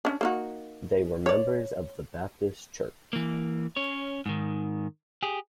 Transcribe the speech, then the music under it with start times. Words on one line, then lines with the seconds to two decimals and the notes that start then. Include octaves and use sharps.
They were members of the Baptist Church.
0.05 C#4 D4
0.21 A#3 D#4 F#4
1.26 C#5 D5
3.13 E3 A#3
3.76 C#4 C#5
4.26 G#2 D#3
5.23 G4 G#4